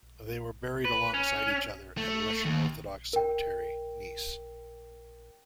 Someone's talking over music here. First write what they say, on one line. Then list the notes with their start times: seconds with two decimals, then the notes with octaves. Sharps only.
They were buried alongside each other at Russian Orthodox Cemetery, Nice.
0.85 B4
1.14 C#4
1.97 A3
2.45 D#2
3.13 A#4 G5